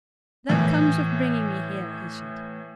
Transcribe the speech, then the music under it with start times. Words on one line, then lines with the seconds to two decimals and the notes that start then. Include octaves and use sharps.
"That comes of bringing me here," he said.
0.49 A2 E3